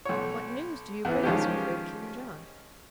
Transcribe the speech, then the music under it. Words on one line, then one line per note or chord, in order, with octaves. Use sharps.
"What news do you bring us from great King John?"
B1 C#5
E2 E3
D#3 F3 G#3 C#4 F4 G4